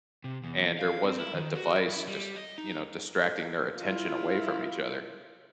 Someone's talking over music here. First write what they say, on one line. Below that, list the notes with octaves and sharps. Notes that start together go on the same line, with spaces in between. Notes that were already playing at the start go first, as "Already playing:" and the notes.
and there wasn't a device just, you know, distracting their attention away from each other.
C3
E2
F5
C4
E4
D#3
F#4
E4
G3
D#5
D#4
E4 F4